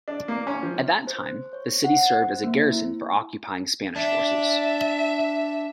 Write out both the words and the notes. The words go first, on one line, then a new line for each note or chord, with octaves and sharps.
At that time, the city served as a garrison for occupying Spanish forces.
D4
A#3
C#4
F3
C5
C#5
F#5
C5
A#3
E4
D4 E5